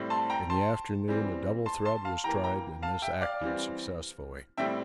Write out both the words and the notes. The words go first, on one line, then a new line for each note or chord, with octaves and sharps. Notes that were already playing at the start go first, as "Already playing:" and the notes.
In the afternoon a double thread was tried, and this acted successfully.
Already playing: A2 G3 C4
A5 C6
G5 A#5
A5 C6
E3 G3 C4
A5 C6
A5 C6
F5 A5
E3 A#3 G5 A#5
G5 A#5
F5 A5
E5 G5
D5 F5
E3 G3 C4
A2 G3 C4 E5 G5